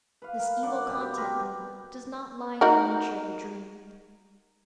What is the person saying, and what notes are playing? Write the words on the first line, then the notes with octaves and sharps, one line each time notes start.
This evil content, then, does not lie in the nature of the dream.
B4 F5
A#4
F#2 D4 F#5 D6
B2 G3 D4
G4
G3 C4 A#4 B4
D#4 F#4 A#4